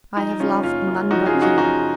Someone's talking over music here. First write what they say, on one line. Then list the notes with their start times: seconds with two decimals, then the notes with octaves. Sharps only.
I have loved none but you.
0.16 F3 D#4
0.40 C#3 C#4 F4
0.63 F#1 C#4 F4
0.87 F#2
1.11 F3 D#4 F#4
1.26 F4 G#4
1.34 C#3
1.42 D#4 F#4
1.58 F3 D#4 F#4